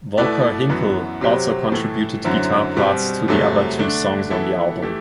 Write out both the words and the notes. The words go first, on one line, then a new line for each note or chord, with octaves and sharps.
Volker Hinkel also contributed guitar parts to the other two songs on the album.
B2 A3 E4 B4 D5
F#2 E3 B3 F#4
C3 F#3 C4 G4 C5
A2 E3 A3
F#2 D3 F#3 C4 E4
B2 G3 C4
E2 C3 F#3 A3
D3 A3 D4
E3 B3 E4 A4
E3 A3 E4 G4